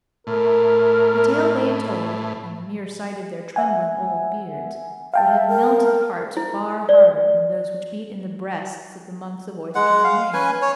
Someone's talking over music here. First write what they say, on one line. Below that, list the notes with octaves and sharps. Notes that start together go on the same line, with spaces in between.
The tale they told, and the mere sight of their trembling old beards, would have melted hearts far harder than those which beat in the breasts of the monks of Oyster-le-Main.
A2 A#4
E5 F#5 G#5
E5 F5 G5 A5
A#4
E4
D5
G#3 F#5
F5
C#4 B4 G#5
C#5